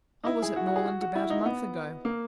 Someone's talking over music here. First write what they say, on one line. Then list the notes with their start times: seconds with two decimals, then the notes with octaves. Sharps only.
"I was at Norland about a month ago."
0.24 D#4
0.26 E4
0.42 G#4
0.56 F#4
0.67 F#4
0.76 G#4
0.86 F#4
1.02 F#4
1.15 E4
1.30 D#4
1.46 B3
2.05 A#3